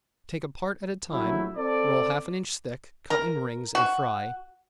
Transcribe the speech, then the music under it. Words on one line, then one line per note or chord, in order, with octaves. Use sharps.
Take a part at a time, roll half an inch thick, cut in rings and fry.
A#1 F#3 A3 E4
C4 A4 D5
A#4
F#4